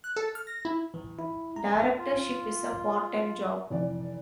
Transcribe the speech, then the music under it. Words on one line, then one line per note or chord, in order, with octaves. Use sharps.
Directorship is a part-time job.
F#6
A4
F6
A#6
E4
E3
E4
A#5
F4
F1 E3 D5